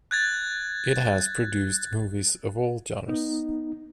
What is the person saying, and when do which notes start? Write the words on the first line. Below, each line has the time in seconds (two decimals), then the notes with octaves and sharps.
It has produced movies of all genres.
0.11 F#6 G#6 A6
3.08 B3 D#4